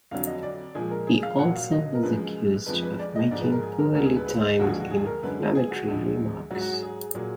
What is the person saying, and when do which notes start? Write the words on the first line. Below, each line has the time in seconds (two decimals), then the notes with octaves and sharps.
He also was accused of making poorly timed inflammatory remarks.
0.11 F2 D3 F#3 F5
0.27 D#5
0.43 D5
0.75 A#2 F3 G#3 G#4
0.91 A#4
1.07 G#4
1.23 F5
1.38 A#2 F#3 F#5
1.56 F5
1.71 D#5
1.95 A#4
2.03 F#2 F3 G#3 B4
2.66 F2 F3 G#3 B4
2.83 B4
2.99 D5
3.16 D#5
3.31 G#2 F3 G#3 D5
3.41 B4
3.52 A#4
3.63 G#4
3.79 A#4
3.94 D2 D3 G#3 A#4
4.05 G#4
4.16 B4
4.26 B4
4.59 D#2 D3 F3 G#3 F#4
4.69 G#4
4.80 F#4
4.91 G#4
5.06 A#4
5.23 F#2 D3 G#3 B4
5.55 G#4
5.71 F#4
5.87 D2 D3 F3 G#3
6.51 G#2 F#3 F#4
6.61 F#4
6.72 G#4
6.83 G#4
7.14 A#2 F#3 G#4